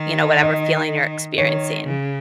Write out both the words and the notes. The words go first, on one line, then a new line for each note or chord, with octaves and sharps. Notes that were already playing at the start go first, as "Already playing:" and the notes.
you know, whatever feeling you're experiencing?
Already playing: D#3
D#5
D#3 C#5
C#3